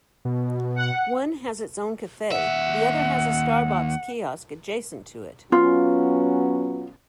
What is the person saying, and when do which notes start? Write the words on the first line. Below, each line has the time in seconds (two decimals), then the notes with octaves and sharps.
One has its own cafe; the other has a Starbucks kiosk adjacent to it.
0.25 B2
0.76 F#5
2.32 D#2 E5 F#5
5.52 F#3 B3 C#4 F4